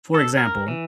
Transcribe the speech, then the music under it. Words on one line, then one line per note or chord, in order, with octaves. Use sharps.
for example,
A4
A#4
E3